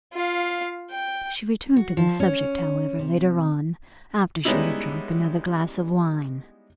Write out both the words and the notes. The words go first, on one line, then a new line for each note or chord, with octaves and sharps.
She returned to the subject, however, later on, after she had drunk another glass of wine.
F4 F5
G5
F#4
F3
C#4
C3
G3 G#3 B3 C#4 D#4 E4